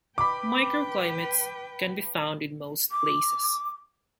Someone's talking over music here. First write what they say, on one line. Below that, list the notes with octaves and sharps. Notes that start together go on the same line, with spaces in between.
Microclimates can be found in most places.
B4 G5 B5 D6
D6